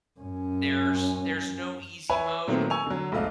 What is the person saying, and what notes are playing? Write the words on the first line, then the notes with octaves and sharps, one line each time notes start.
There's there's no easy mode.
F#2 C#4
B4 C#5 E5 G#5 B5
A#2 D#3 F#3 A3 B3 C4
G#5 C#6 E6 F7
D3 F#3
F1 B1 G#2 A3 D#5 F5